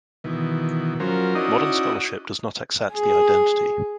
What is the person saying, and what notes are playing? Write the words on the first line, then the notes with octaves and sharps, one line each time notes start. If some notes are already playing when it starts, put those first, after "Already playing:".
Modern scholarship does not accept the identity.
B2 D#3 E3
F3 F#3 C#4 A#4 C5
C#4 D#4 E4 F#4 D5 D#5
G#4